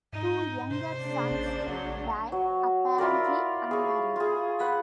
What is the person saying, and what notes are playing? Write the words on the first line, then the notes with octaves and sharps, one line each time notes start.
Two younger sons died apparently unmarried.
G#2 D#4
C3 C5
C#3 A#3 D4
A1
A#1 F#3
F#3
E4 F4 A#4 D5
G#4 C#5
F4 G#4
B4 F#5